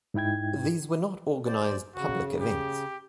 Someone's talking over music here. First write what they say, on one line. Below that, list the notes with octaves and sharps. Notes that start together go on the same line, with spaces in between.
These were not organized public events.
G#2 D#4 E4 G5 G#6
C5 D5
C#3 F#4
G4